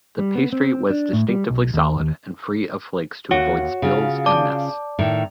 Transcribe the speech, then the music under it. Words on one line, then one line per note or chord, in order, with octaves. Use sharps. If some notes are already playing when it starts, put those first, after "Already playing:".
The pastry was distinctively solid and free of flakes to avoid spills and mess.
G3
B3
C4
D4
A2
G3
B1
D#2
D#2
D#2 F#4 C#5
C#3 F4
D5 A5 D6
A2 D#3